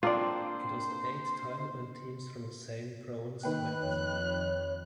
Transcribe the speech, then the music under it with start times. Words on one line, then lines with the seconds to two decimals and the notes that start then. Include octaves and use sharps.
It was the eighth time when teams from the same province met.
0.03 A#3 C4 D4 F4 C5 D5
3.43 D#3 A#3 B4 G5 F#6
3.81 F2 C#5